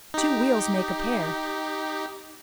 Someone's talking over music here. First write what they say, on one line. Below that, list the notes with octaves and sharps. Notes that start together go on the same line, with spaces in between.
Two wheels make a pair.
D#4 G4